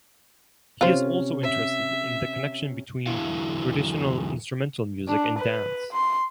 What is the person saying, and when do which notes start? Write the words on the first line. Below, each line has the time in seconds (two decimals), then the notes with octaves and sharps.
He is also interested in the connection between traditional instrumental music and dance.
0.81 C3 C#4 F4 C5
1.43 E5
3.06 E2 D3 F#3 E4 F5
5.08 D4
5.38 B4
5.92 C6